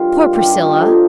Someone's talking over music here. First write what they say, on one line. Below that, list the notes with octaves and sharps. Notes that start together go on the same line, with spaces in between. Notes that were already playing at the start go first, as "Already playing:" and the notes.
Poor Priscilla!
Already playing: G2 D#3 G3 F4
G2 G4
F4
G4
D3 F3 D#4